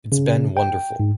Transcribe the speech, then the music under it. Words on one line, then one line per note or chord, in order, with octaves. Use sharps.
It's been wonderful.
C#3
G5
G#2